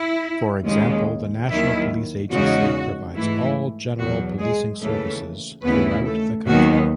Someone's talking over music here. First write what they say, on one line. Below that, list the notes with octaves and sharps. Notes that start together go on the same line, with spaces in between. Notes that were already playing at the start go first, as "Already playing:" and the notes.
For example, the National Police Agency provides all general policing services throughout the country.
Already playing: E4
D#2 C#3 G#3
D#2 D#3 F#3 E4
E2 C#3 G#3 D#4 F#4
G#2 E3 A3 E4
E2 B2 F#3 F#4
G#3 G#4
D#2 C#3 E3 A3 A4
D#2 C#3 E3 A3 B3 E4 B4
A3 A4
D#2 D#3 F#3 B3 D#4 F#4